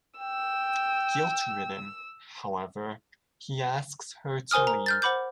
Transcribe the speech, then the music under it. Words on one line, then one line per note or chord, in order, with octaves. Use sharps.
Guilt-ridden, however, he asks her to leave.
G5 E6
A#4 C5 G#5 D#6 F6
A#5
F6 G6 A6
C5 F#5 B5 D6 G6